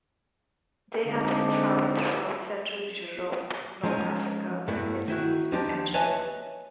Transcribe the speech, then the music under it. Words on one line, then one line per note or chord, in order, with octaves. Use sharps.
They have been found throughout central Europe, North Africa, the Middle East and China.
D3 G#3 C4 D4 D#4
F3 G#3 C#4 D#4
G2 A3 B3 E4
D#3 E4 F#4
D#2 F3 D4 D#4 G4
B4 C#5 D#5 E5 G#5 A5